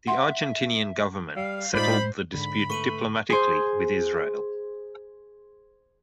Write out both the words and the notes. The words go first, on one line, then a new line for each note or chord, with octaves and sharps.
The Argentinian government settled the dispute diplomatically with Israel.
E5 F#5 C6
G3 F5
A2 G#3 D#4 F4 C5 D5 B5
G#2 D3 B5
A3 B4 C#6 D#7 F#7
G#4 C5